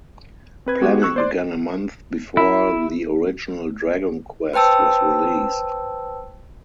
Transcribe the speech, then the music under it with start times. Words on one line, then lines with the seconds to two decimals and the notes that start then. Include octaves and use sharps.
Planning began a month before the original "Dragon Quest" was released.
0.66 C4 B4 G#6
0.81 G#3 B3 F#4 G4
1.02 C#6 E6 F#6
1.16 C5 D5 C6
2.37 E4
4.53 B4 C5 G5 A5 E6